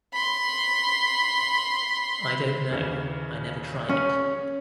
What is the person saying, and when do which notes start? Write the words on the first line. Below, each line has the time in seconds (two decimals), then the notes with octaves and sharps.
I don't know, I never tried it.
0.14 B5 C6
2.70 D#2 C#3 E3
3.89 C#4